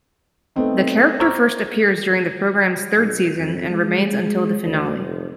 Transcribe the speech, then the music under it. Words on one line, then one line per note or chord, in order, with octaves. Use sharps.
The character first appears during the program's third season and remains until the finale.
A3 B3 C4 D#4
C5 A#5 C#6 D6 E6 F6
B1
F2
G#3
D2
F1